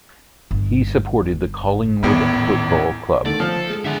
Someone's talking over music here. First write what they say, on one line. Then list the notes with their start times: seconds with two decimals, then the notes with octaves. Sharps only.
He supported the Collingwood Football Club.
0.51 G1
2.03 D#1 E2 A2 D#3 B3
3.26 D3 D#3 A3 D5
3.40 F3 A4 C5 F6
3.70 G#3
3.85 D3 G#4 E5